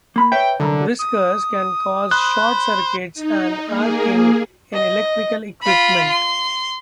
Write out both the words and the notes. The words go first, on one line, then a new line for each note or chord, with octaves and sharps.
Whiskers can cause short circuits and arcing in electrical equipment.
A#3 B5
B4 C#5 E5 G5
C2 F#2 D3 A#5
D#6
C5 B5 F#6
D#4
A#3 G#4
D#5
F4 B5
C6